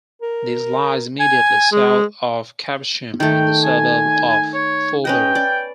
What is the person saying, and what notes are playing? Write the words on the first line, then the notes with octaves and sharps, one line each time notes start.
This lies immediately south of Caversham in the suburb of Forbury.
A#4
G#5
G#3
D#3 A3 G5
G#5
C#5
C#4 B4 D#5 G5
D5